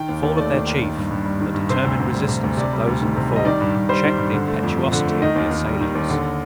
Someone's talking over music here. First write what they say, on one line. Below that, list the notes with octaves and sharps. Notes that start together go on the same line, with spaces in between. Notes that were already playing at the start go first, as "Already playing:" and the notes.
The fall of their chief, and the determined resistance of those in the fort, checked the impetuosity of the assailants.
Already playing: D#3 G5
D#2
D#2
A3 D5
D#3
D#2
D#3
G2
G2
G3
D#3
G2
C3 C5
D2
D2
G3
C3
D2
C3 D5
G3
D2
D#3
C3
G3
D#5
D#3 D5
G2
G2
G3 C5
D#3
G2
D3
A3
F2
F3
D3
A3
D#3 D#5
D#2
D#2
G3
D#3
D#2
D3